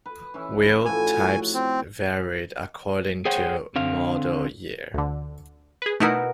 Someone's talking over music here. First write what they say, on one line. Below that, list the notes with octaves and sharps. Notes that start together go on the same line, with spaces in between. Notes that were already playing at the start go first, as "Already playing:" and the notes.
Wheel types varied according to model year.
B4
E3 C#4 E4
A2 F3 F#4 G#5
C4
G#4 C5 C#5 F#5 G5
D3 C4 F5
D2 D3
G#4 B4
B2 A3 D#4 E4 F#4 A#4